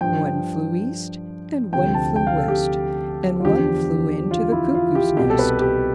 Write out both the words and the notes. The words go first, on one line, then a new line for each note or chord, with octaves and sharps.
"One flew east and one flew west. And one flew into the cuckoo's nest."
G2 F3 G5
D2 C3 F3 G5
A5
G5
F5
A4
G4
F4
E2 D3 F3 G4
F4
E4
F4
G4
C2 B2 G4
A4
B4
G4